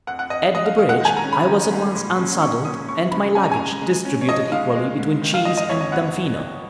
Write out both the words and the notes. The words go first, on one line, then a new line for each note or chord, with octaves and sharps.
At the bridge, I was at once unsaddled, and my luggage distributed equally between Cheese and Damfino.
F2 F#5
F#5
F2 D#5
D#5
G#3 D#5
F5
G#3 F5
F#5
D#3 G#5
A#5
C#4
B5
D#3
G#2
A#2
C#4
A#2 C#6
C#4 D#6
D#2 C#6
C#3 B5
C#4 G#5
A#5
G#5
G#3
G#3
C#4
C#5
F3 D#5
G#3 F5
G#3
G#2
D#3
F5
G#2 D#5
D#5
F2 C#5
D#5
B3 F#5
F2
F2